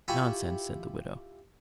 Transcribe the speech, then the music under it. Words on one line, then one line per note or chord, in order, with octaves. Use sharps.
"Nonsense," said the widow.
E4 F4 G4 G#5 B5 C#6